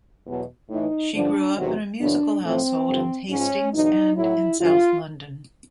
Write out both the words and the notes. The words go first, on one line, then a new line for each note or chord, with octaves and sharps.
She grew up in a musical household in Hastings and in south London.
E2 B2 F#3
A2 E3 D#4
G2 D3 F3 D4
E2 C3 D#3 F#3
F#2 C#3 E3 D4
A2 F3 C4
G2 D3 F3
G#2 F3 C#4
E2 B2 F#3 D#4
A2 F#3 E4
G2 D3 F#3 F4